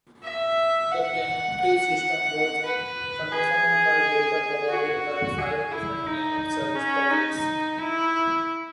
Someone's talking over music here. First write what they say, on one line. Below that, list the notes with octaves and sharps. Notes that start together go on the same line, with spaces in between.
The planetary system was confirmed by data provided by five different planet search projects.
E5
F#5
F#5
B4
G#4
F#4
G#4
E4
D#4
C#4
D#4
E4